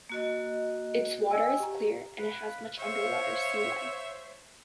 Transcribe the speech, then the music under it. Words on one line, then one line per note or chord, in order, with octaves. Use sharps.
Its water is clear and it has much underwater sealife.
A#3 F#4 D#5
D5 D#5 G5 G#5 E6
G4 A#5
B4 F5
C5 C#5 E5 C#6